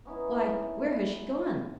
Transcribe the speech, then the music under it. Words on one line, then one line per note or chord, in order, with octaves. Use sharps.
"Why, where has she gone?"
B3 C#4 D#4 E4